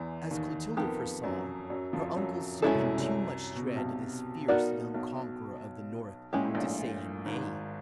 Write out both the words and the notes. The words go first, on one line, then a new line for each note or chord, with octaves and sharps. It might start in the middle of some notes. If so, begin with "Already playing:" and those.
As Clotilda foresaw, her uncle stood in too much dread of this fierce young conqueror of the north to say him nay.
Already playing: E2 E3
D#2 D#3
F2 F3 B3 D#4 G4 A#4
F#2 F#3
F#2 F#3
F2 F3
F#2 F#3
F#2 F#3 G#3 C#4 E4 A4
C2 C3
C2 C3
B2
C3
B1 B2
B3 D#4 F#4 A#4 D5
B1 B2
A#2 G#3 C#4 E4 G4
A2
A#1 A#2
G#1 G#2